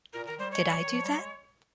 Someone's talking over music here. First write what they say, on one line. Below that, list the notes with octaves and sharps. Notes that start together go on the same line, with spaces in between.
Did I do that?
A#2 A#4
D#3 A#4
G3 C5
G#3 C#5
G3
D#3
F3
G3
G#3